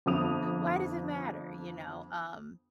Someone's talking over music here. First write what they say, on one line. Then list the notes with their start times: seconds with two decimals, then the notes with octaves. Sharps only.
why does it matter?" you know? Um,
0.06 G1 F2 D#6 F7